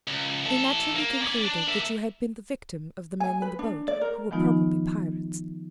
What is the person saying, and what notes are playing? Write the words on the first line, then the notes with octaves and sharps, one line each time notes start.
They naturally concluded that you had been the victim of the men in the boat, who were probably pirates.
C#2
E3 A4
A#3
C#4 D5
D4
A#3 E5
G#5
B4
D4
D5
A#4
D#3 F3 G#3 B3 D#4 F4